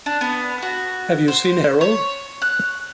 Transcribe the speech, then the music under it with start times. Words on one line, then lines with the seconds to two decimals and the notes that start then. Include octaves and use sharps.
Have you seen Harold?
0.06 D4
0.21 B3
0.62 F#4
1.28 C5
1.81 C#5
2.42 F#6